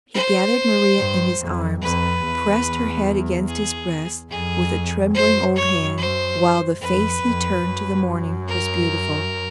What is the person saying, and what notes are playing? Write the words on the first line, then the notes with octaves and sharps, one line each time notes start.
He gathered Maria in his arms, pressed her head against his breast with a trembling old hand, while the face he turned to the morning was beautiful.
C5
G2
F2
F2 B4
E2
G#4
F2 G#4
F#2 C5
C#5
C5
F2 B4
F2
F#2
A#4